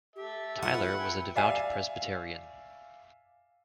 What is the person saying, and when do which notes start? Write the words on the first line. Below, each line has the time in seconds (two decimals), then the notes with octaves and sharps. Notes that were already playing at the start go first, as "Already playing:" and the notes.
Tyler was a devout Presbyterian.
0.16 G4 A4 E5
0.62 F4 F#5
0.74 B4
0.98 E5 G5 G#5
1.36 D5 E5 F5 G#5